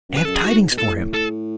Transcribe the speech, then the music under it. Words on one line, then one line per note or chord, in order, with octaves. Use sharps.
I have tidings for him.
F#2
B4
F#2 A4
G#4
G#2 F#4
B2
A2 A4
A4